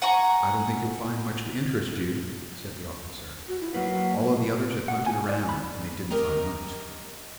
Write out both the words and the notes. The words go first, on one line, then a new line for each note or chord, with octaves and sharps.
"I don't think you'll find much to interest you," said the officer. "All of the others have hunted around, and they didn't find much."
F#5 G#5 A#5 C#6
F#4
E4
F#3 A#3 B4 F#5
D7
F#5
G#5
D5
B5
G4 A#4 D#5 G5 A#5